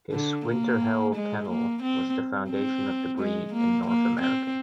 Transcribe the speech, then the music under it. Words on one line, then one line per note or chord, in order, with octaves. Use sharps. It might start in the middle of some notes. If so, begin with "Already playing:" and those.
His Winterhelle Kennel was the foundation of the breed in North America.
D3
A#3
G#3
A#3
C4
C4
G#3
A#3
A#3
C4